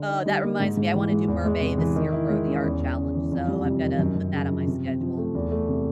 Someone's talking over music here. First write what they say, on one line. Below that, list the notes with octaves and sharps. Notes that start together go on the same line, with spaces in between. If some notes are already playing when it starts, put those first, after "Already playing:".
Uh, that reminds me. I wanna do Mermay this year for the art challenge, so I've gotta put that on my schedule.
Already playing: D3
D#4
G3
A#3
G#2
G#2
E3
G#3
E2
G#3
C3
E3
D#3
E4
G#3
C#4
E2
E2
C#3
E3
F2
G3
C3
D#3
F#2
F#2
C#3
F3
C3
C4
F3
A3
E2
A3
C3